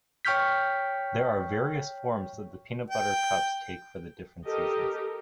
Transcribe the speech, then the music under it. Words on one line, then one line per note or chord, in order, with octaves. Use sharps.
There are various forms that the peanut butter cups take for the different seasons.
C#5 G5 C#6 F6 G6 B6
G5
G4 A4 A#4 D#5